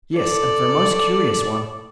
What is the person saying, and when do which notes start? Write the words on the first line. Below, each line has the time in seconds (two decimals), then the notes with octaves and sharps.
"Yes, and for a most curious one."
0.15 A4 D5